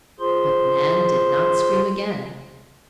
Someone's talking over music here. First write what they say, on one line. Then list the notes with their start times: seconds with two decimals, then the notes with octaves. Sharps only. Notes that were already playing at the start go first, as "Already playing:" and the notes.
But Nan did not scream again.
0.20 F4 G#4 C5 C6